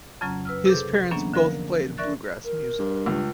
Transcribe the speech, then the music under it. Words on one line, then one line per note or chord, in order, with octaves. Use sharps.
His parents both played bluegrass music.
F2 C#3 F#3 C#4 A#5
B4 E6 F6
C3 G#4 A4 D6 G6
E3 F#3 A#3 B3 C#4 D4
D3 F3 A#4
A#4 D5 E5 C#6 F#6 A6
A#4
G2
C#2